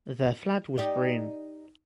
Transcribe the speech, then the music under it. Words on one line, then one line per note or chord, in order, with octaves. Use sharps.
Their flag was green.
D#4 G4 D5